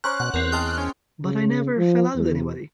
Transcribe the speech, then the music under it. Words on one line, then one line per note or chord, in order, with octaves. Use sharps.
But I never fell out with anybody.
C#4 C5 A#5 D6 F#6
B2 F#5
E2 C4 A#4
G#3 G5 A5 F6
C#4
C#3
F3
E2